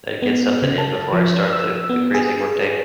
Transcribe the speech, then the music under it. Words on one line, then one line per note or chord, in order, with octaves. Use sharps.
and get something in before I start the the crazy workday.
B3
C#3
A5
F3
E6
B3
G#4